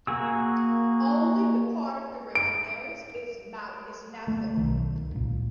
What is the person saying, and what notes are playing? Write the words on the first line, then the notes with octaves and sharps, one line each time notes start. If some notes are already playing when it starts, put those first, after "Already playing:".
Only the part of the river nearest its mouth is navigable.
A#3 F#4 G#4 E6
D7
D2 A3
B1 D#3
C#2 A#2